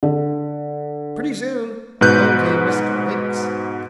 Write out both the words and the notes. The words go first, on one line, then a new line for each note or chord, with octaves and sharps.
Pretty soon along came Mr. Lynx.
D3
G#2 B2 B4 F#6 G6